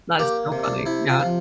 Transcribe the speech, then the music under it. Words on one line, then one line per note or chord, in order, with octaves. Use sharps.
That is so funny, yeah.
A#3 G4
C3
D4
C3 E4
F4
F3